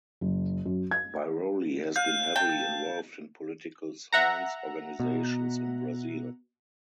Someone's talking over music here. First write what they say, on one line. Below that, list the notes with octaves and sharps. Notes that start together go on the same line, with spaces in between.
Biroli has been heavily involved in political science organizations in Brazil.
F#1
F#2
G#6
F5 G6
G5 A5
E5 F#5 A#5
B2